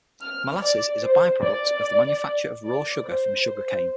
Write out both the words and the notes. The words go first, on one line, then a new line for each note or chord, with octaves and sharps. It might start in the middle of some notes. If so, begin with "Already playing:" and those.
Molasses is a by-product of the manufacture of raw sugar from sugar cane.
F6
D5
C5
D5
D5
C5